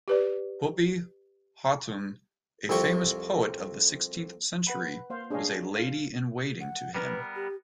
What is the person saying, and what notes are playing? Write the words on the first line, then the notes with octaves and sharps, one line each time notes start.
Hubbi Hatun, a famous poet of the sixteenth century, was a lady-in-waiting to him.
G4 B4 D5
C2 F2 C3 G5 C#6
B4 F#5 B5
A#3 C5 F5
D4 G#4 C#5 D#5 F5 G#5
F5
F#5
G3 B3 A#4 B4
G4